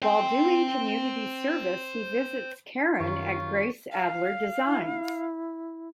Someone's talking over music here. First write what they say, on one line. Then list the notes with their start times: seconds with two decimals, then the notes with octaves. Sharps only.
While doing community service he visits Karen at Grace Adler Designs.
0.02 C5 G5
3.00 F#2 D#3 F4 G4 C#5 C#6
3.92 F5
4.66 E4